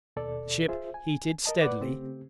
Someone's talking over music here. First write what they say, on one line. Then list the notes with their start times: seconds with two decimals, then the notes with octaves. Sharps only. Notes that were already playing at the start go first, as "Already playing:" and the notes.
The ship heated steadily.
0.16 D#2 B2 A4 D5
0.68 F4 G#4 C5 E5
0.94 G#5
1.46 A#4 D#5 A5
1.61 B4 D5 F#5 D6
1.81 C#3 A3 C4 G4